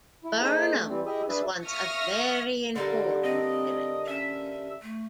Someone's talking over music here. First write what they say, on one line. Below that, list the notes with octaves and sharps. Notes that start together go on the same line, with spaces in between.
Burnham was once a very important village.
E4
A#3 D#4 G#4 A4 C5
A3
E3 G3 C4
E4 G4 G#4 D#5 E5
D4 G#4 B4 D5 E5
E5 F5 C#6 D#6 F6 A#6
D3 G3 A#3 A4
C4 D#5
C#4 E5
A3